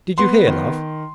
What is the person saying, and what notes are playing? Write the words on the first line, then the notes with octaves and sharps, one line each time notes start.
Did you hear, love?
B3 C6
D#3